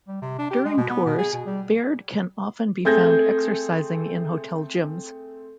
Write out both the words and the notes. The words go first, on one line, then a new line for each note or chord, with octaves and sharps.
During tours, Baird can often be found exercising in hotel gyms.
G3
C3
D4
G4
G#3
B2
B3
B2
G#4
B2
G3
A3 C4 G#4 G6 G#6 A#6